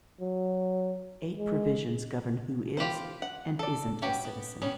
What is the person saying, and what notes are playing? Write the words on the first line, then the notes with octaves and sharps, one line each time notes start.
Eight provisions govern who is and isn't a citizen.
F#3
G#3
F4 G4 B4 C5
F#5
A4 D5
C#4 F#4 G4 B4 G5
B3
G3 B3 C#4